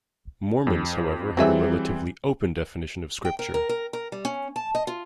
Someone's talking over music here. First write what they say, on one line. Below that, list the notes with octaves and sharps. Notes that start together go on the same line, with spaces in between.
Mormons however have a relatively open definition of scripture.
F2
E3 F#3 G3 C4 G#4 E5
G5
A#4
A#4
A#4
A#4
G3
C#4
A5
D#5
F4